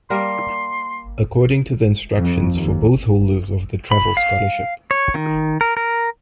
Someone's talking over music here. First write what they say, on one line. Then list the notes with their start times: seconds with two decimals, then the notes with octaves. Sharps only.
According to the instructions for both holders of the travel scholarship.
0.10 G3 A#3 A#4 C6
2.17 F2
2.54 D#2
3.92 B5
4.17 F5
4.91 C#5
5.14 D#3
5.61 A#4
5.77 A#4